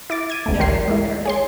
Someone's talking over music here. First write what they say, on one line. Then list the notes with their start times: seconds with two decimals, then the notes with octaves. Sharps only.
Yeah, they don't care.
0.10 E4 D6 A6
0.30 G#6 D#7
0.46 G#1 D2 A3
0.59 A1 E3 G4 A#4 C6 C7
0.88 G#3 A#3 E4
1.26 G#4 C#5 C6